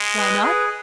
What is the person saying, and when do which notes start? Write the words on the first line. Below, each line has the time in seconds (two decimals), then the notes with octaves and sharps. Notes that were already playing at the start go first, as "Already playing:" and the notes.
"Why not?"
Already playing: G#3
0.17 B4 D#5
0.43 G#4 B4